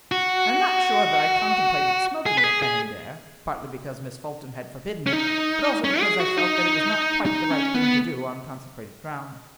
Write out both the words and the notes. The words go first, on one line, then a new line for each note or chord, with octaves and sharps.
I am not sure that I contemplated smoking it then and there, partly because Miss Fulton had forbidden it, but also because I felt that it was not quite the right thing to do on consecrated ground.
F#4
G#4
B4
G#4
G#4
C#4
D#4
C#4
G#4
F#4
D#4
D#4
C#4
B3